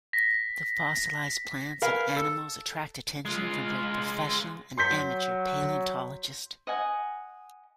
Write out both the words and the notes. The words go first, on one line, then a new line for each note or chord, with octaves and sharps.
The fossilized plants and animals attract attention from both professional and amateur paleontologists.
A#6 B6
A#4 B4 F5 G#5
A4
G#3 F4
F#3 C6 G6 B6
D#5 F#5 G#5